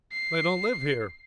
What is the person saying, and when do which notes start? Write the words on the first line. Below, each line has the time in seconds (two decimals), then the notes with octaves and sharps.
They don't live here.
0.12 C7